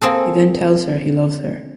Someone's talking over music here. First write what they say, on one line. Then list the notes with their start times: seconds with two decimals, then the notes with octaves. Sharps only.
He then tells her he loves her.
0.01 A#3 C4 G#4 A4